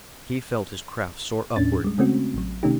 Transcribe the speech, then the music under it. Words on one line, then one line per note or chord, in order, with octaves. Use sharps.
He felt his craft soar upward.
D#2 A2 C#4 D4 A6
G3 G#3
C#3 G#3 A3 C4 C#4 F#4
A1 F#3
C3 D#3 A3 C#4 D#4 G4